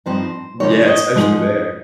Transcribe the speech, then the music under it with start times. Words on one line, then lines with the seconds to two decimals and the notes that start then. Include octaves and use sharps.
Yeah, especially there.
0.06 G2 F3 C4 D#4 C5
0.60 C#3 F3 A#3 D#4 C#5
0.88 D#5
1.15 G#2 F3 G#3